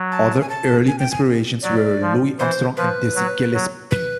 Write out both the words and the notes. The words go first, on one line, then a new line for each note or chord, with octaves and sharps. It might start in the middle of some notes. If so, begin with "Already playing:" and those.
Other early inspirations were Louis Armstrong and Dizzy Gillespie.
Already playing: F#3
A5
G#5
A5
G#5
G5
G#5
F#3 D5
F3
E3 C5
F3 B4
F#3
F#3
B4